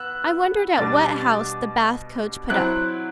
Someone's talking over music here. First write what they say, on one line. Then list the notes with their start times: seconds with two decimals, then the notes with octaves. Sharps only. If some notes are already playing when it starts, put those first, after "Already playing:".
'I wondered at what house the Bath coach put up.
Already playing: B3 E6 F#6
0.78 B2 G3 D4 A6
1.21 A6
2.50 F#3 C4 E4 F#6